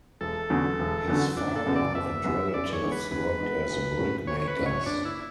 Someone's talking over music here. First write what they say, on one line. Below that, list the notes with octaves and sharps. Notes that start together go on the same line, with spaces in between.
His father and relatives worked as brickmakers.
E1 A4
E2 D3 F#3 C#4
E1
E2 D3 F#3 C#4
F#1 D4
A4
F#2 C#3 F#3 B3
D5
F#1 E5
F#2 C#3 F#3 B3
F#2 D5
C#5
E3 G#3 B3
B4
F#2 B4
E3 G#3 B3
B1
A2 F#3 C#4
B1 C#5
C#5
B4
A2 F#3 C#4
C#5
F#1 D4
E4